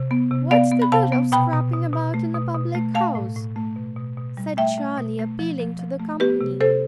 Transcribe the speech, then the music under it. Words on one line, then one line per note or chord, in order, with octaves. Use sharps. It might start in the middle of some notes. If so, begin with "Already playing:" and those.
"What's the good of scrapping about in a public-house?" said Charlie, appealing to the company.
Already playing: C3
B3
C3
B3 D5 F5
B3
B5
C3 F5 A5
B3
B2 G5 B5
B2
B2
B2
A3
B2
B2
A3
A3 F5 A5
A2
A2
A3
B2
B2
B2
G3
A3 E5 G5
A3
B2
A3
F3
F3
F3
A3
B3 G4 B4
C3
C3 A4 C5